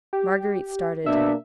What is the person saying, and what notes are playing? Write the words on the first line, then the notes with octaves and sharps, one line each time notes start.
Marguerite started.
G4
B2 A#3 D4 E5